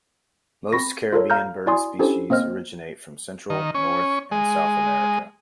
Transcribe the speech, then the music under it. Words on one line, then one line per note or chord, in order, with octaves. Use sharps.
Most Caribbean bird species originate from Central, North and South America.
C4 B5 C#6 A#6
F4 A4 A#4 C#5
F5 A#5 F6 G6
E4 F#4 D5 G#5 C6 D#6
C#4 D4 E4 G4 A4 C5
A#3 C4 C5 D#5 F6
D#3
C#4
G#3